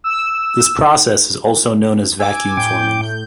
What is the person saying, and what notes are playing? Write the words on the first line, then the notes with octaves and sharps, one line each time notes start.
This process is also known as vacuum forming.
E6
G#5 D6 E6
A2 G5 D6 G6